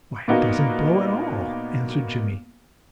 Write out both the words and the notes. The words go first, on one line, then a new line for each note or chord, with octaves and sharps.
"Why, it doesn't blow at all," answered Jimmie.
A#2 A#3 B3 D#4 F#4